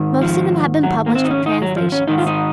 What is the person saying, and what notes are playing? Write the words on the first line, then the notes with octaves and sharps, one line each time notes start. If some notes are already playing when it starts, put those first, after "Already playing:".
Most of them have been published with translations.
Already playing: G#2 D#3
F3
F#3
A#3
C4
D#4
C#4
D#4
F#3
F3
C#4
G#2 D#3 D#4
F4
D#4